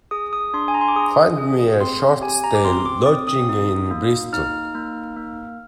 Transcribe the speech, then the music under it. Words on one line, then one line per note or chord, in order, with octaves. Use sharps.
Find me a short stay lodging in Bristol.
G#4 D#6
D#6
D4 C6
G#5
A#5
C6
D6
G#4 D#6
G#4
C4 C6
G4 G#5
A#5
D6
C4 C6
D6
C4 D#6
D#6
D#4
A#3
D#4 F6
A#3
A#3